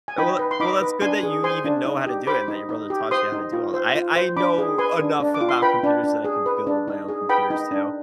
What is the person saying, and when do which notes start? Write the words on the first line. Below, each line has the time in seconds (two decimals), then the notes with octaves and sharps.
Well well, that's good that you even know how to do it and that your brother taught you how to do all that. I I know enough about computers that I could build my own computers too,
0.08 G#5
0.18 D#4 G5 B5
0.39 B4
0.51 C6
0.60 D#4 B5 D6
0.81 B4
1.02 D4 G#5 C6
1.23 G#4
1.44 C5 G#5 C6
1.65 D4
1.85 D#4
2.06 G4
2.27 C5 B5 D6
2.48 D#4
2.69 D#4
2.90 G4
3.11 C5 C6 D#6
3.32 D#4
3.53 F4
3.74 C5
3.95 F4
4.16 C5
4.37 D4 B5 D6
4.58 G#4
4.78 B4 G#5 C6
4.99 D4
5.20 D4
5.34 D6
5.41 F4
5.49 C6
5.62 B4 G5 B5
5.84 D4
6.03 D4
6.25 G#4
6.46 B4
6.67 D4
6.88 D#4
7.08 G#4
7.29 B4 G5 B5
7.50 D#4
7.71 D4